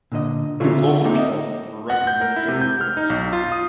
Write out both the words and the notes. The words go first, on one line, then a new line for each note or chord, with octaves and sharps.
He was also responsible for erecting many government buildings.
A#2 D3 D#5
D3 D4 E4 F4 A4 C#5
A#3 C4 D#4 G4 A4 E5
D#5
F#5
G6
A#4
E4
C3
G6
F6
D#4
B1
F4
D#6